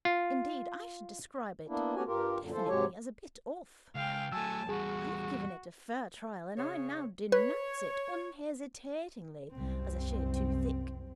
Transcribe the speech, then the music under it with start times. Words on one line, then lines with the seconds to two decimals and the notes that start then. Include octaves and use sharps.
Indeed, I should describe it definitely as a bit off. I have given it a fair trial, and I now denounce it unhesitatingly as a shade too thick.'
0.05 F4
1.67 A#3 B3 D4 E4
1.95 A3 B3 C#4 F#4 G4 G#5
2.07 G2 F4 G4 A#4
2.40 F#2 A#2 D3
2.53 E3 F3 A4 C5
2.68 G#2 C3 F#3 G#3 G4 C#5
3.95 C#2 F5 G5
4.32 F#3 A3 G#5 A5 E6
4.69 E2 G3 F#4 G#4
6.57 C#3 C#5
7.32 B4 C#5
9.53 C2 F#2 C4